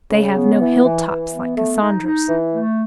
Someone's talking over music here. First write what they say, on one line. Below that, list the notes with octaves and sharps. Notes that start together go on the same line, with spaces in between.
They have no hilltops like Cassandra's.
C#3
B3
E3
E3
E3
B3
A3
D#4
D#4
E3
A3